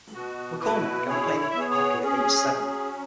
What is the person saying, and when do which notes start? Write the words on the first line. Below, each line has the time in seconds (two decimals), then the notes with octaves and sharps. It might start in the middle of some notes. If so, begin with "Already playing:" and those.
MacCormik began playing hockey at age seven.
0.14 B2 F#4
0.61 E4 F#4 B4
1.08 E4 G#4 C#5
1.40 C#5
1.50 E5
1.55 B3 G#4 C#5
1.70 G#4 C#5
2.03 C#4 G#4
2.50 F#3